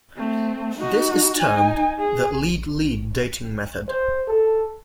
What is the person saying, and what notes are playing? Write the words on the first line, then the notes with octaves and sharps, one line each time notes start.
This is termed the lead-lead dating method.
A3 C4
D#4 F#4
D#4 G#5
G#4
C5
A4